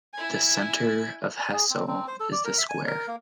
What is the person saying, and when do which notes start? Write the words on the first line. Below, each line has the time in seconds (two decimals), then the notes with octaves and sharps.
The centre of Hessle is the Square.
0.14 E4 G#5
1.40 G#5
1.53 G#4
1.70 C4
1.88 C4
2.08 C5
2.20 A4
2.32 D5
2.45 A#4
2.58 E5
2.69 G#5
2.87 A#4
3.08 A#3